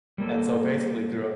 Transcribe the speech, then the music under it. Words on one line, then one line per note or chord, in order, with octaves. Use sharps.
And so basically throughou
G3 A#3 A4